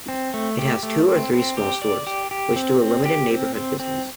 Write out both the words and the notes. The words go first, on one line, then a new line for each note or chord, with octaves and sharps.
It has two or three small stores, which do a limited neighborhood business.
C4
A3
G4
A3
C4
C4
G4
D5
G4
G4
C4
C4
G4
C4
C4
C4